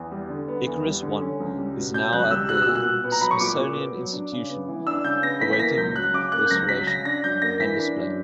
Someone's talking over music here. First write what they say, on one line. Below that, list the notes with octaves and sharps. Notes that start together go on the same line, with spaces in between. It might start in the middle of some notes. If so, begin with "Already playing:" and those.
Icarus I is now at the Smithsonian Institution awaiting restoration and display.
Already playing: E2
G3
D3
B3
E2
G3
D3
C#4
C#2
G3
B2
C#4 G6
C#2 F#6
G3 E6
B2 F#6
E6
A#2
F#6
A#2
B3
A#5
F#3 B5
C#6
A#2 D6
A#2
B3
F#3
D4
C#3
B3
E3
D4 E6
C#3 G6
B3 A#6
E3 B6
B6
A#3 A#6
C#2 G6
F#3 F#6
C#3 D6
A#3 F#6
G6
C#2 A#6
F#3 B6
C#3 A#6
D4 A#6
F#2 G6
A#3 A#6
E3 B6
D4
F#2